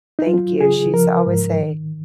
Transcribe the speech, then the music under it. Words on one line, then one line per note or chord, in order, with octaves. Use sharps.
Thank you. She used to always say,
D#4
F#3 F4
C#3 G#4
F3 A#4
G#2
D#3